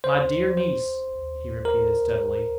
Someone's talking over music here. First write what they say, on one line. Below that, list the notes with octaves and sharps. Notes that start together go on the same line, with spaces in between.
My dear niece,' he repeated steadily.
C5
C5
A#4